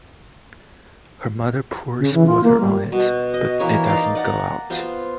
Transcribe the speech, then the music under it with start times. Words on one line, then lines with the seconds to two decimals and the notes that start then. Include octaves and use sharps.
Her mother pours water on it but it doesn't go out.
1.99 C#3
2.14 E3
2.27 F4
2.44 A#3
2.60 G3
2.92 B2
3.34 D#5
3.59 E3 A#3 E4 C#5
3.86 D#4 D5 F5
4.15 D5 F#5 A#5
4.70 B3 F4 C5